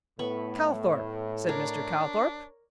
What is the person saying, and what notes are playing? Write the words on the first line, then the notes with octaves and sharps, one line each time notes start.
"Calthorp," said Mr. Calthorp.
A2 B3 B5 C#6
D4 A#4 C#5 D5